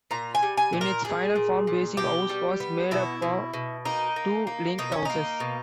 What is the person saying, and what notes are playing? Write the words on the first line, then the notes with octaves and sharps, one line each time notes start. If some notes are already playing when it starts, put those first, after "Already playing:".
In its final form, Basing House was made up of two linked houses.
A#2 A#5
G#5
G3
G#5
A#2
A#4
A#2 G#4
A#2
A#2
B2 G4
G3
B3
B2 E4
B2
B2
A#3 D#4
A#3
A#3
B2 D#4
C#4
A#3 D#4
B2